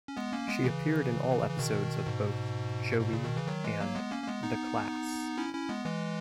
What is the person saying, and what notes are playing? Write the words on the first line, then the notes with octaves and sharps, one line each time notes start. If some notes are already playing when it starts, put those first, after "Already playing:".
She appeared in all episodes of both "Joey" and "The Class".
C#4
G#3 B3
A#3 C#4
G#3 B3
C#3 E3
E3
B2 D#3
G#2 B2
G#2 B2
A#2 C#3
B2 D#3
C#3 E3
D#3 F#3
E3 G#3
F#3 A#3
G#3 B3
A#3 C#4
A#3
G#3 B3
B3 D#4
C#4 E4
C#4 E4
G#3 B3
E3 G#3